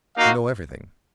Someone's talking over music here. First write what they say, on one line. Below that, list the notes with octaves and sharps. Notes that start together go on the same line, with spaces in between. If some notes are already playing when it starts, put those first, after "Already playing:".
You know everything.
A#3 D#4 F#4 F5